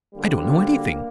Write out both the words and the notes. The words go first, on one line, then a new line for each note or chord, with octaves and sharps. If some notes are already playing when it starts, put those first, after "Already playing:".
I don't know anything.
D2 D3 G3 A#3